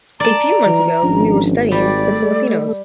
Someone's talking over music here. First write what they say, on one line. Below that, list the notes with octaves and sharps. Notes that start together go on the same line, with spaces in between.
A few months ago we were studying the Filipinos.
D5 A5 A#5
E3
G#1 F3 C#4 D4
G3 F#4 D5
A3 A4